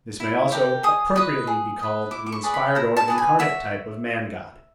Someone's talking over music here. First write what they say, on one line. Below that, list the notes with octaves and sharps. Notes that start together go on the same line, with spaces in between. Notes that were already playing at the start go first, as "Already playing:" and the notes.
This may also appropriately be called the inspired or incarnate type of man-god.
E4
G4 A#4
G#4 D#6
B4 D#5 D#6
G#4
B4 D#5
E4 D6
D6
C#6
G#4 B4 D5
B5
E4 A#5
A5
G#4 B4 D5
G#5
F#4 E5